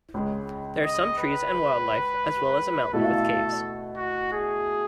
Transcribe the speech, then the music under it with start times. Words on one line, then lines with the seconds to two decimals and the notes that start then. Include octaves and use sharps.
There are some trees and wildlife as well as a mountain with caves.
0.14 C#2 C#3 G#3
0.84 D#5
1.19 B4
2.93 B2 A3 E4 A4
3.97 F#4
4.32 G#4